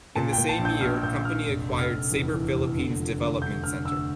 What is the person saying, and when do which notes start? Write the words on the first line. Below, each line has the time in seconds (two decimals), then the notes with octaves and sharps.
In the same year company acquired Sabre Philippines Development Center.
0.16 A#2 A5
0.33 G5
0.38 A#2
0.49 A5
0.59 A#1
0.65 G6
0.81 A#1 F6
1.03 A#2 G6
1.24 A#1 F6
1.47 F1
1.69 F1
1.79 F6
1.90 F1
2.12 E2
2.34 E3
2.55 F1
2.77 D3
2.99 F3
3.21 D2
3.42 D2 G6
3.63 D2 F6
3.85 D2 E6